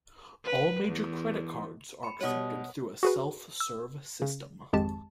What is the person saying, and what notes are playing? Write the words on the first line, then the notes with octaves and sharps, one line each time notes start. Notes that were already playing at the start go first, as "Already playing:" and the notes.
All major credit cards are accepted through a self serve system.
B4
E2
B5 C6 C#7
B2 G3 C#5 F#5 D#6
F#4 G#4 B4
E6
C#3
G#1 F2 G#3 G4 A5